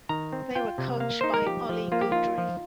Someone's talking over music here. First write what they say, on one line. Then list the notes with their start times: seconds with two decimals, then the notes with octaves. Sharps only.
They were coached by Ollie Guidry.
0.09 D#3 A#5
0.33 C4
0.55 F4 G5
0.78 C3
1.00 A#3 F5
1.21 D#4 C5
1.34 A#4
1.47 F3 G4
1.69 F3
1.92 A#3 F4
2.01 G4
2.12 D#4 F4
2.38 F3